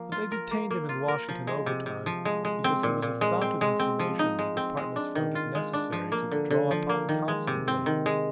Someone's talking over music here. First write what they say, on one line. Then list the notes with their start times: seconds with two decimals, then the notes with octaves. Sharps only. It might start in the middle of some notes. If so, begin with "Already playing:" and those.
But they detained him in Washington overtime because he was a fount of information the departments found it necessary to draw upon constantly.
Already playing: F3 A#3
0.12 F4
0.32 A#4
0.51 A#3
0.71 A#3
0.89 F4
1.08 A#4
1.29 F3
1.47 G#3
1.66 C3
1.86 C3
2.06 F3
2.25 G#3
2.45 G#3
2.64 C4
2.83 A#2
3.02 A#2
3.21 G#3
3.42 C4
3.61 G#3
3.79 C4
3.99 F3
4.19 D#4
4.39 G#3
4.57 C4
4.77 G#3
4.96 D4
5.15 D#3
5.35 F4
5.55 G#3
5.73 D4
5.92 F3
6.12 A#3
6.31 D3
6.50 D3
6.71 F3
6.89 A#3
7.09 D#3
7.28 G#3
7.47 C3
7.68 C4
7.86 D#3
8.06 G#3